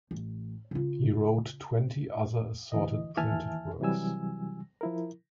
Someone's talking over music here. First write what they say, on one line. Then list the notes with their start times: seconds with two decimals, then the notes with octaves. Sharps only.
He wrote twenty other assorted printed works.
0.11 A1
0.71 C#3 F4
2.72 D2 E3 D#5
3.17 D#2 E3 E5 G#5 A5 F6
3.80 C3 E3 F#3 G3 G#5 E6
4.81 F3 E4 A#4